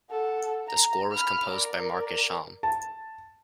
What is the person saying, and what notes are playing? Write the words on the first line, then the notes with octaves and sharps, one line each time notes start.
The score was composed by Mark Isham.
A4 F#5
A#5
B5 F6
A#4 D5
A5